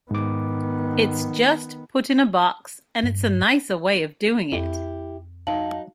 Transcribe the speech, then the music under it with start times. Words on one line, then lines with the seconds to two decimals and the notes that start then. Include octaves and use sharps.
It's just put in a box and it's a nicer way of doing it.
0.11 G#2 D#3 B3 D6
3.03 G2
4.52 F2 E4 G4
5.47 F#3 D#4 F5 A5 F#7